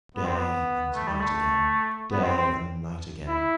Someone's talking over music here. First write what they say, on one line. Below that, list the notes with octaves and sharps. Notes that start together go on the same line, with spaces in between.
Day and night again, day and night again.
B3
C4
B3
A3
G3
A3
B3
C4
C4
E4